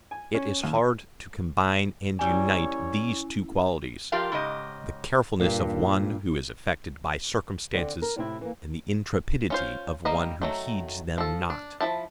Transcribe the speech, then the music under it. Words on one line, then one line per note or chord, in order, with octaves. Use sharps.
It is hard to combine and unite these two qualities, the carefulness of one who is affected by circumstances, and the intrepidity of one who heeds them not.
G#5
C#4
D#2
G3 A#3 C#4 E4 C#5 G#5
F3 F4 G4 A#4 D5 F5
G#2 C#3 G4 D#5
G2 A#2
D3 C4
A#4
A2 C3 C4 E4
E3 A#3
C#4 F4 C5
G3 A#3 D#5 A#5
D#3 F#3 A3
F3 A4
D4
F3 F#3 E4 A5